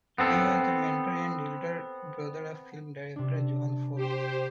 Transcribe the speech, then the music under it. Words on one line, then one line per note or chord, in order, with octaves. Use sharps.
He was the mentor and elder brother of film director John Ford.
B3 C4 A4
C3 D4
G4 C5